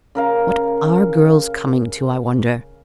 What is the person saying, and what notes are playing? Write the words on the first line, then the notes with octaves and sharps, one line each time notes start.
'What are girls coming to, I wonder?
C#3 A#4 F5